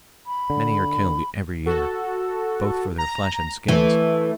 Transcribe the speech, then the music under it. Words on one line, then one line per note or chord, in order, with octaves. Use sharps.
Many are killed every year, both for their flesh and skins.
B5
D3
F#4 A4
A#5
E3 A3